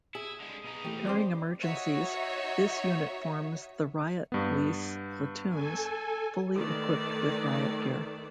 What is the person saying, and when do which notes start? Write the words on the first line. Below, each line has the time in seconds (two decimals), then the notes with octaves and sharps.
During emergencies, this unit forms the riot police platoons fully equipped with riot gear.
0.15 E4 G#4
0.40 D3 G#3
0.64 B2 D#4
0.85 E3 A3 G4
1.05 F3 A3 C4 D5 D6
1.61 D#4 F#4 C#5 E5
4.32 G2 B3
5.49 A4 G#5
6.55 D#3 A3 B4 D5